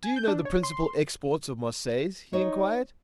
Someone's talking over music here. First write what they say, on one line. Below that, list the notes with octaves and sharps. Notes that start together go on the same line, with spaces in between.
'Do you know the principal exports of Marseilles?' he inquired.
G#5
G6
D4
C#5
C6
D#4 C#5 D#5